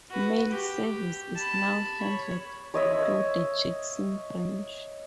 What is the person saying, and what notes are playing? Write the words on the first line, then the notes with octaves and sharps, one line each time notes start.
Mail service is now handled through the Jackson branch.
F#4 B4
G4
A5 B5
C#5 B5
C#5 D#5 E5